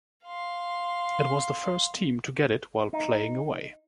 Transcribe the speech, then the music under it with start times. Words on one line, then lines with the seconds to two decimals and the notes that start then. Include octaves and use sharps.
It was the first team to get it while playing away.
0.25 F5 C6
2.93 D#4